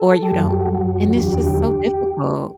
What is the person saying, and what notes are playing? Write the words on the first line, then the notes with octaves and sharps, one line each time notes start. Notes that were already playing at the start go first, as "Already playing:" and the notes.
or you don't, and it's just so difficult.
Already playing: A4
G4
F#2 F#3 A4
G4
F#4
F#2 F#3
E2 D3 F#3 G4